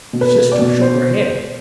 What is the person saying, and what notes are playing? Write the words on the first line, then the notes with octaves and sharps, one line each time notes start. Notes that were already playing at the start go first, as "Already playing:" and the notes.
My sister shook her head.
B2
B4
B2
D5
B2
C5